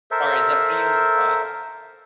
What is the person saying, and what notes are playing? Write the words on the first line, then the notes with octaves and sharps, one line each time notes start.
Sorry, is that putting you on the spot?
A4 A#4 C5 E5